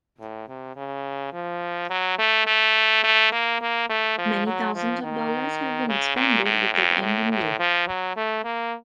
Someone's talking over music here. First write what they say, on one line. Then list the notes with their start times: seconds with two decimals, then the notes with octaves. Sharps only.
Many thousands of dollars have been expended with that end in view.
0.19 A2
0.48 C3
0.76 C#3
1.33 F3
1.90 F#3
2.18 A3
2.47 A3
3.03 A3
3.32 A#3
3.61 A#3
3.89 A3
4.18 F3
4.46 F#3
4.74 F3
5.03 D#3
5.89 C#3
6.16 A#2
6.45 A2
6.73 F2
7.02 A2
7.31 A2
7.59 F3
7.87 F#3
8.16 A3
8.44 A#3